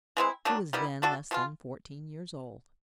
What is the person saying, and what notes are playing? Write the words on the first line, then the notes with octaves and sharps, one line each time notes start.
He was then less than fourteen years old.
E3 G#3 C4 E4
D#3 F#3 A3 D4
D#3 G3 B3 E4
A3 D4 F#4 A4
B2 G#3 C4 F4